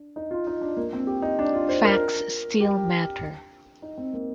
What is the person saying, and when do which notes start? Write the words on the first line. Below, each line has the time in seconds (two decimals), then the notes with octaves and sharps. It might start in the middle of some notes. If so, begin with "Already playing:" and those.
Facts still matter.
Already playing: D4
0.16 D#4
0.31 F4
0.47 D#4
0.61 D4
0.77 A#3
0.93 C4
1.07 G4
1.22 D#4
1.39 D4
1.53 F4
1.69 C5
1.84 A#4
2.60 G4
3.82 D#4
3.97 C4
4.13 A#3